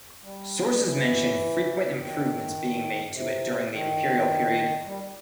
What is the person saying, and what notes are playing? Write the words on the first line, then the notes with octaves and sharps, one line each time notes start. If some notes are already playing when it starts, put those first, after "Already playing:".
Sources mention frequent improvements being made to it during the imperial period.
G3
E3
D#3
C3
D#3
G3